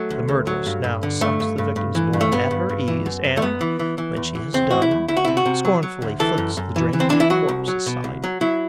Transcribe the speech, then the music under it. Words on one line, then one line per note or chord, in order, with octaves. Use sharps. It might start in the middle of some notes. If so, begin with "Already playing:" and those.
The murderess now sucks the victim's blood at her ease and, when she has done, scornfully flings the drained corpse aside.
Already playing: F#3 A3
D2
D2
F#3
G2
G2
D3
G2 A3
G2
G2
G2
E3
G2
A3
G2 B3
G2
G2
E3
F#2
F#2
A3
F#2 B3
E3
E3
E3
E2
E3
E2 C4
E3 F#4
E4
E2
D2 E4
F#4
C3 E4
F#4
C3
F#3
F#3
D2
E3 A4
F#2
F#2
E3
E3
C4
E3 D4
E4
F#3 F#4
C2
F#3
B2
C2
F#3
F#3 E4